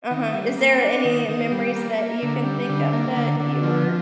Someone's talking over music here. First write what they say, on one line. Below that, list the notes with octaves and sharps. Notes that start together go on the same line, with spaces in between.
Uh-huh, is there any memories that you can think of that you were
D#3
G3
A#3
D4
D#3
D#3
G3
A#3
A#3
D3
G3
D3
A#3
D3
D3
F3